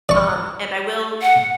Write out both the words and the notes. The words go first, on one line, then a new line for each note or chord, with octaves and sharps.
um, and I will
D5 C#6
F#5